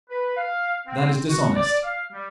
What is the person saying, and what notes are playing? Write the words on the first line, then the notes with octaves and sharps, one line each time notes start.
That is dishonest.
B4
F5
C4
F#4
D5
F5
G3